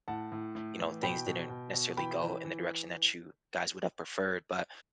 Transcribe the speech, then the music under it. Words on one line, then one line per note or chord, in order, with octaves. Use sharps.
you know, things didn't necessarily go in the direction that you guys would have preferred, but,
A2 F#5 A5
A2
A2
E3
B2 G5 B5
B2
B2
B2
E3 G5 B5
E3
E3